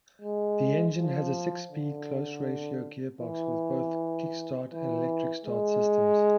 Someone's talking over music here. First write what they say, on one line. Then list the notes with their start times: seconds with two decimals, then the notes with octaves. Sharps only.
The engine has a six-speed close-ratio gearbox with both kick-start and electric start systems.
0.22 G#3
0.97 F3
1.71 D3
3.21 E3
4.71 E3
5.45 G#3